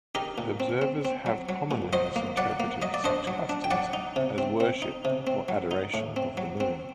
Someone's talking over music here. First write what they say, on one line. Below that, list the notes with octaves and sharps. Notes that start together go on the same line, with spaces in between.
Observers have commonly misinterpreted such customs as worship or adoration of the moon.
D#4 G4 A#4
A#2
C4
C4
C4
F#3
F#3
A#2
F#3 C5 D#5
A#3
F#3 D5 F#5
A#3
F#3 D#5
D5
D4 C5 D#5
F#3
D4
G5
F#3 D5 F#5
D#4
C3
C4
C4
D#4
C3
C4
F#3
D#4
A2
C4
F#3
C4